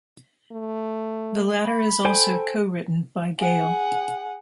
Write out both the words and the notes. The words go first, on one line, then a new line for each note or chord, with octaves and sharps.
The latter is also co-written by Gale.
A3
B5
A4 C5 G5 G#5
G#4 F#5